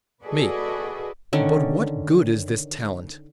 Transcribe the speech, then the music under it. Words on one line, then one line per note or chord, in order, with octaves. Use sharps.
ME: But what good is this talent?
F#4 G#4 A4 B4 D5 D#5
D3 D#3 C#4